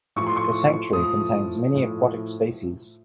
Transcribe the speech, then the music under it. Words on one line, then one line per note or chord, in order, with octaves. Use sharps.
The sanctuary contains many aquatic species.
A2 F3 C#6
C6
C#6
A2 F3 D#6
A2 F3